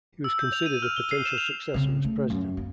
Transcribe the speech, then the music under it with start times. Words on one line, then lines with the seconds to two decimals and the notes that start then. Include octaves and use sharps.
He was considered a potential successor as President.
0.24 E6
0.39 G6
0.53 F7
0.66 D#7
0.82 F6
0.97 G7
1.11 C7
1.25 E7
1.38 F7
1.74 C#3 C4
2.04 A3
2.30 F#2
2.57 A#3